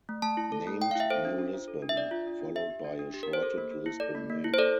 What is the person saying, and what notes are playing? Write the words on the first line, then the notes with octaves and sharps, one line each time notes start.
Named "New Lisbon", followed by a shortened "Lisbon" name.
A3
A3 A5
E4
A4
A3
A3 G5
F5
E4 E5
A4 C5
D4
D4
F4
A4
D4
E5
D4 D5
F4
D4
D4
G4 E5
G4
D4
D4
G4
A#4
G4
C5
A4
A#3
A#3
E4
A4 D5
A#3
A#3
E4
C5
A4 D5